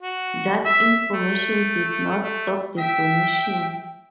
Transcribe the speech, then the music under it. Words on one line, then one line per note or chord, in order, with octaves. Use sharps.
That information did not stop the donations.
F#4
E5
A3
A3
E5 G5